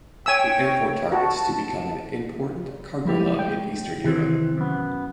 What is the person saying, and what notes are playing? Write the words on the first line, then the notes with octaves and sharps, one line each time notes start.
The airport targets to become an important cargo hub in Eastern Europe.
C#5 G5 G#5 E6
F#4 A5
F3 G3 G#3 E4 G4
G5
C3 D#3 E3 C4
F#2 B3